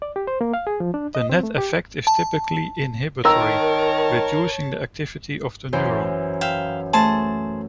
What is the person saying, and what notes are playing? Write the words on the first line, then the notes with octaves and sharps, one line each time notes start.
The net effect is typically inhibitory, reducing the activity of the neuron.
D5
G4
C5
A#3
F5
G#4
F3
D4
D#5
C4
A3
G4
A5
D#3 A#4 C#5 A5 A#5 E6
F#2 E3 C5
E5 F5 G5
A3 G#4 C5 A5